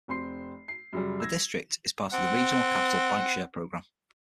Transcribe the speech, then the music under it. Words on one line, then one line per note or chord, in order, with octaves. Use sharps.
The District is part of the regional Capital Bikeshare program.
F1 C4 C6 C7
C7
F#2 C#3 G3
E6 G#6 A#6
C4 F#5